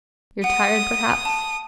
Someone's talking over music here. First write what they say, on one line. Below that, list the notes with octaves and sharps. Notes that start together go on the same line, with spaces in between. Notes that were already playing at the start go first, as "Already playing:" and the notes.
You're tired perhaps?
F#5 D#6
A5